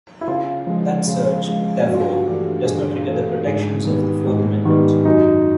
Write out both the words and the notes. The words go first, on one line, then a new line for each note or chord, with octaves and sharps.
That search, therefore, does not trigger the protections of the Fourth Amendment.
E4
C#3 F4
F3 G#3
C#3
F3 G#3
G2 F#4
F4
F#4
E3 A3 D4 G4
G2 G#4
E3 A3 D4
G#2 G#4
D#3 G3 B3
G#2
D#3 G3 B3
F#2 D#4